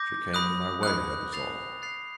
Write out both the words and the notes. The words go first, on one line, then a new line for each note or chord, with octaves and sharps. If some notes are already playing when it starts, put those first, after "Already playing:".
She came in my way, that is all.
Already playing: D6 G6 A#6
B5 D#6 F#6
B5 D#6 F#6
F#6 A6 C7 F7
F#6 A6 C7 F7